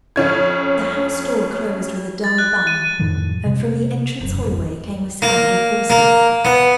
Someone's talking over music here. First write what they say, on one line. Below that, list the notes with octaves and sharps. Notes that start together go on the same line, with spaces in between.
The house door closed with a dull bang, and from the entrance hallway came a sound of voices.
F2 C#4 G#6
A6
F#6
D#7
F2 A2 D#3 F3
C3
E1 F#2
G#1 F2 G3
A#3
A#3
B3